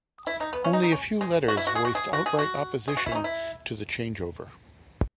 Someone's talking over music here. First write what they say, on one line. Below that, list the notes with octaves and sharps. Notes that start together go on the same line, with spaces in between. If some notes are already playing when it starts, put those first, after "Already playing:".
Only a few letters voiced outright opposition to the changeover.
E4
D#4
B3
C#4
D#4
D#4
C#4
G#3
F#4
E4
F#4
G#4
F#4
G#4
F#4
G#4
F#4
G#4
F#4
E4
C#4
D#4
E4